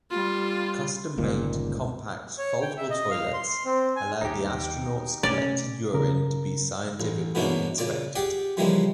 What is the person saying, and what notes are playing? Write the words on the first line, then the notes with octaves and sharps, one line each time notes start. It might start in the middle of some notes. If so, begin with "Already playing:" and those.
Custom-made, compact, foldable toilets allow the astronaut's collected urine to be scientifically inspected.
G3 F4
G1 C#2 A#2 D#3
C#5
G5
E5
D#5
F5
C6
C4
G#5
D#2 D#4 G4
C3 A3 C#4 D5
C#3 A#4
A1
G#2 B2 E3 A#3 C#4 D4
A#2 C#3 D5
G4 G#4 D5 F#5
C#3 E3 F3 G3 G#3 A#3